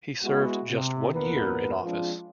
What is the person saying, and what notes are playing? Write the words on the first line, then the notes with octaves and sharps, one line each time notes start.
He served just one year in office.
G#3 B3 E4 F#4
C3
E2 A#2 B3 A#4 B4
F3 G#3 C4 D4 F4